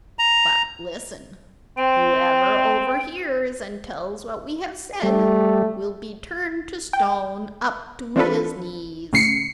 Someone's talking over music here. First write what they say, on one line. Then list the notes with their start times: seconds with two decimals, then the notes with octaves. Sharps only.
But, listen! whoever overhears and tells what we have said will be turned to stone up to his knees.'
0.19 A#5
1.78 C4 G5
5.03 G3 A3
6.93 G5
8.16 E3 C4 D4 F4 A4 B4
9.13 A2 C#3 C7 C#7